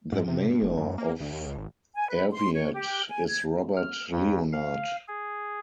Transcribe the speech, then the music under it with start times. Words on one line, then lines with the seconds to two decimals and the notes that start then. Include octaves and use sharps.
The mayor of Arviat is Robert Leonard.
0.12 G#2
0.27 C3
0.48 G2
0.62 F1
0.77 F#2
0.98 A#3
1.20 D2
1.32 D#2
1.46 C#2
1.57 G#1
1.94 G#5
2.08 B4
2.29 C6
2.54 C#5
2.74 G4
3.08 G#5
3.26 G#6
3.77 F6
4.12 F2
4.53 F5
5.08 G#4